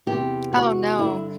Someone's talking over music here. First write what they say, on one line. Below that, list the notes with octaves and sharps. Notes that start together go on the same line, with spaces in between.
Oh no.
E2 C3 E3 G4
F#4
G2 D3 E4